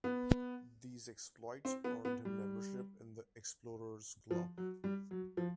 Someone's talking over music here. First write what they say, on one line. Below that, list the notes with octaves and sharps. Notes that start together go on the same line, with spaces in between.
These exploits earned him membership in The Explorers Club.
B3
C4
B3
B3
G3
F3
F#3
G3
F#3
F3